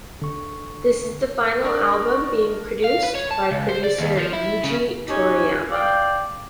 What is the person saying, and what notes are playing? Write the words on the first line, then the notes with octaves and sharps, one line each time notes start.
This is the final album being produced by producer Yuuji Toriyama.
D3 C#6
D4 A#4 D5 C#6
F5
B4
C#5
A5
C#2
C5
D5
D#2
F3
E4
C#3
C#4 D#4 G4 C#5 G#5
D5 F5 G5